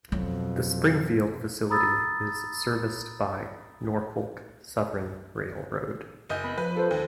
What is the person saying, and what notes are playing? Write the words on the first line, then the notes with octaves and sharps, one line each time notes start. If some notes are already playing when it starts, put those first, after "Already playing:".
The Springfield facility is serviced by Norfolk Southern Railroad.
F2 B2 F#3 E4
A#5 B5 D#6 E6 A6
F#1 D#5 G6
B3 B5
F3 B4
A4 C5
D#2